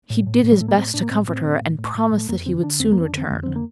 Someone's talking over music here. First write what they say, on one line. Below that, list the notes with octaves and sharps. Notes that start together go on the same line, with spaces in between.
He did his best to comfort her and promised that he would soon return.
A2
A2
A2
G3
A2 A3
A#3
A2 C4
A2 D4
A#3
A2 C4
A2 C4
A2
A2
A2
A2
A2
A3
F2 A#3
D3 C4
D3 D4
F2 C4
A#3
F2 C4
D4
D3 C4
F2
D3 C4
A#3